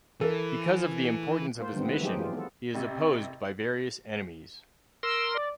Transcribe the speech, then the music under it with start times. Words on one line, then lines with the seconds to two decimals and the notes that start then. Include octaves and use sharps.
Because of the importance of his mission, he is opposed by various enemies.
0.21 E3 A4 A#4
1.59 A#3 F4 C5
1.73 D3 D#3 G3 B3 C4
1.88 D#3 A3 E4 B4
2.02 F3 F#3 D#4 G4 G#4 C5
2.17 E3 G#3 F4
2.33 B3 A4
2.74 A1 C3
5.03 A#4 C6 E6
5.35 D5